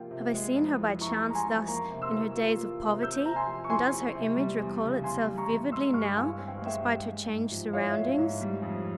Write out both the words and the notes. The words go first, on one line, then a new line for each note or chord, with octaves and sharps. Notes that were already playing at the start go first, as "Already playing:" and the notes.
Have I seen her by chance thus in her days of poverty, and does her image recall itself vividly now despite her changed surroundings?
Already playing: C3 F3 A#3 F4 G5
C3
G#3
F2
E3
E4 A#5 C#6
G#3
A#5
G#5 C6
F2
A#3 A#5 C#6
C3
C6 E6
E3
F4
A#3
C3
C4 E6 G6
C3 A#5
G#5 C6
F3
C#6
E4 G#5 C6
C4
C3
G3
E2
C#3
E2 G#5 C6
G3
A#5 C#6
E2
G#3 C6 E6
G2 C#6 F6
E3 F5 G#5
C4 G#5
G5
F5
G#3 E5 G5
G2
G#3
G#2
F3
E4 C#5 F5
E5
G#3
C#5
G#2
E5
G3
F2